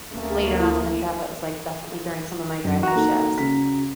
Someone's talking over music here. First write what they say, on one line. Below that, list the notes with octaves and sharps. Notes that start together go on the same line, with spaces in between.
later on in the trip, it was, like, definitely during some of my driving shifts,
D2 A3 A#3 C#4
E4
F#2
F#4 A#5
A#3 D#4 A4
C#3 B6